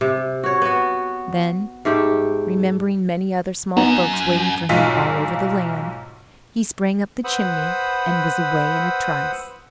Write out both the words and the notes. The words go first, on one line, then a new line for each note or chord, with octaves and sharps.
Then, remembering many other small folks waiting for him all over the land, he sprang up the chimney and was away in a trice.
C3
F#4 C#5
B3 F#4
G#2 A3 G4
F#2 B3 D#4
B1 G#2 F4 B6
B4 C5 F#5 B5 D#6 E6